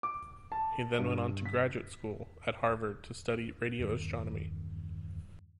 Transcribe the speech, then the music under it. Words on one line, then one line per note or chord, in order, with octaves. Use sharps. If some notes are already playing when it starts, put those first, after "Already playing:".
He then went on to graduate school at Harvard to study radio astronomy.
D6
A5
G2
B6
E2 G2 D#3